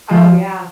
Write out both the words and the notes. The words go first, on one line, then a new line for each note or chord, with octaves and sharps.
Oh, yeah.
F3